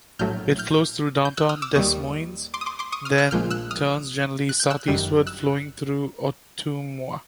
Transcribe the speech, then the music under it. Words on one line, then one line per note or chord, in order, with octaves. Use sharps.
It flows through downtown Des Moines, then turns generally southeastward, flowing through Ottumwa.
A#1 A2 F#3 A3 F6 G6
F6 G6
G6
E6 F#6
D#6 F6
D6 E6
D#2 D#3 G3 C#6 D#6
C6 D6
D#6
C6 D6
C6 D6
C#6 D#6
D#6 F6
E6 F#6
A#1 A#2 F3 G#3 F6 G6
E6 F#6
D#6 F6
F#6
G6
E6 F#6
G1 F#2 D#3 G3
E6 F#6